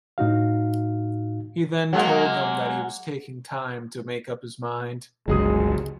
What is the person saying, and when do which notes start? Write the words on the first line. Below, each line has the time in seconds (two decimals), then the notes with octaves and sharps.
He then told them that he was taking time to make up his mind.
0.18 A2 D#4 F#4 F5
1.93 F#3 G#3 A#3
5.28 G1 C#2 F#3 G#3 G#4 D#6